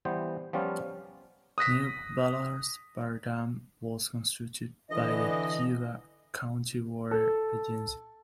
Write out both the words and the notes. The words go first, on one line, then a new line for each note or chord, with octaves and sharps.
New Bullards Bar Dam was constructed by the Yuba County Water Agency.
E3 G3 B3 C5
F3 G3 B3 C#4 F4
D#6 F#6 A#6 B6
D3 E3 D#5
A4